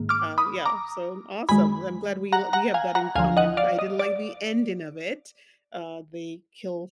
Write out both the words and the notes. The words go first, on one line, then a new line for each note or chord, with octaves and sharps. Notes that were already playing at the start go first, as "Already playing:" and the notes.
Uh, yeah, so m awesome, I'm glad we l we have that in common. I didn't like the ending of it, uh, they kill
Already playing: G#2 D#3 A#3
D6 F6
B5 D#6
A#5 D6
F#2 D#3 G#3 G#5 B5
F#5 A#5
F#5 A#5
F5 G#5
F#5 A#5
D2 D3 F3 F5 G#5
D#5 F#5
D5 F5
D#5
D5